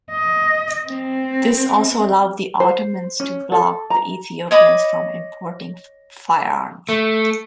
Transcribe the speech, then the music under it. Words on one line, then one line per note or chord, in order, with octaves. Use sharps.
This also allowed the Ottomans to block the Ethiopians from importing firearms.
D#5
C4
C5
C#4
A4
A#5
C#5 D#5 B5 D6
A3